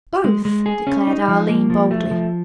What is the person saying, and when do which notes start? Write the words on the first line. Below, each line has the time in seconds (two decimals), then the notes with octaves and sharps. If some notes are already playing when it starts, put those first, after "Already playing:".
"Both," declared Arline boldly.
0.24 G#3
0.45 G#3
0.66 G#4
0.87 C#4
1.07 D#4
1.28 F3
1.49 A#3
1.70 F3
1.91 A3
2.11 F3